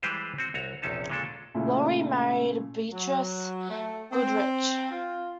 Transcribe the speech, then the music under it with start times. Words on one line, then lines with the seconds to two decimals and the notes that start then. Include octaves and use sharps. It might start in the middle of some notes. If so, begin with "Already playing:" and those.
Lowry married Beatrice Goodrich.
0.02 E3 G3 G#3 G4 B4 C5
0.38 C4 F#4
0.54 C2 F#4 C#5 A#5
0.82 A#1 E2 C3 C#4 D#4 A5
1.10 A#2 C#3 G#3 D4 A4
1.55 A#2 C#3 A3 E4
2.92 F#3
3.69 A3
4.11 C4
4.90 F4